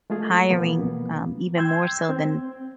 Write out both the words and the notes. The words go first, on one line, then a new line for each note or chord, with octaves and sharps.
hiring, um, even more so than
G#3 A3 F4 G#4
B2 E3 F3 A#3 B3
G5 C6 E6 G6 G#6
C4